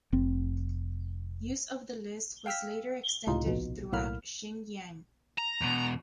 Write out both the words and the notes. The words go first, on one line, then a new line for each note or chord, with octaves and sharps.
Use of the list was later extended throughout Xinjiang.
F1 C4
F5 G5 E6 F6 B6
C#2 A2 C3 D#4 F4
A#1 B2
B1 A2 A#3 B5 F6
A#5
E2 B2